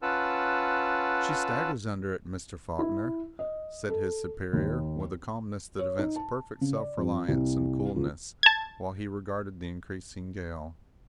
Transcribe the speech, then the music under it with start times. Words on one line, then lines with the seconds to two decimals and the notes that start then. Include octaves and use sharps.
"She staggers under it, Mr. Faulkner," said his superior, with a calmness that evinced perfect self-reliance and coolness, while he regarded the increasing gale.
0.02 C#4 F4 B4 F#5 A5 E6
2.79 E4
3.39 D#5
3.89 A4
4.53 D#2
5.79 C#5
5.99 D#4
6.16 A5
6.61 C#3
6.76 D5
6.98 F2
7.28 C2
7.96 C#2
8.43 A5 G#6